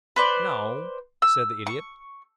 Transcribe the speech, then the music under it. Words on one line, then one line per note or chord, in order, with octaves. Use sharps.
"No," said the Idiot.
B4 C5 D5
E6
C#6